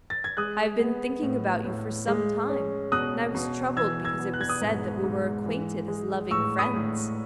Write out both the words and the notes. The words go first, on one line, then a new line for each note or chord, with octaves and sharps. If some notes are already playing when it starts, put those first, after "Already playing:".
I have been thinking about you for some time, and I was troubled because it was said that we were acquainted as loving friends.
A6
G#6
G#3 D#6 F#6
B3
A2
A2
G#3
C#4
B2 D#6 F#6
B2
E3 E6 G#6
E6 G#6
B3
F#6
G#6
D#6 F#6
G#2
G#2
E3
G#3
A2 C#6 E6
B5 D#6
A2